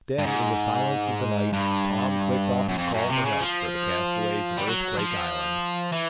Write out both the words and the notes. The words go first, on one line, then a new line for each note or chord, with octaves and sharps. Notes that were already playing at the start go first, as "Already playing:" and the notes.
Then, in the silence of the night, Tom clicked off his call for help for the castaways of Earthquake Island.
G2
G#2
G2
F#2
F2
F#2
C3
C#3
F3
G3
F#3
F3
E3